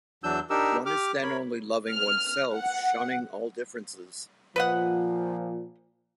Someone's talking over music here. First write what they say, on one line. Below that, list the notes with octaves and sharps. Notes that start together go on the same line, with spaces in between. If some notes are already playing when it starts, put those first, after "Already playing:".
One is then only loving oneself, shunning all differences.
E2 E3 F#3 D4 E6 G6
D4 D#4 G4 A#4 E6
G4 D6 F6
A#4 C#5 B5
F6
F#5
A#2 F3 B4 D#5 F#5